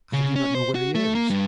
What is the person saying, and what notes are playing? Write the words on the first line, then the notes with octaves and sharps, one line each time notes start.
"I do not know where he is."
C#3
C#4
C5
F#4
A3
A#3
G2